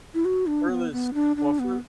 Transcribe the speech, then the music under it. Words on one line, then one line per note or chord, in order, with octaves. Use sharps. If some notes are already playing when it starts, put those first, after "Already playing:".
Furthest well, fur
E4
F#4
D4
B3
B3
D4
D4
B3